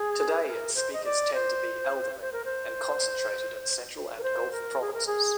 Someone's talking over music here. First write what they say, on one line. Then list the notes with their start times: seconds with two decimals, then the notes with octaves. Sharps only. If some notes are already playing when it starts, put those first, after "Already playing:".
Today its speakers tend to be elderly, and concentrated in Central and Gulf provinces.
Already playing: G#4
0.43 C5
0.47 A#4
0.75 C5
0.93 D#5
1.05 D5
1.34 C5
2.21 C5
2.32 A#4
2.45 C5
4.19 A#4
4.23 C5
4.52 A#4
4.81 G#4
4.94 A#4
5.07 G#4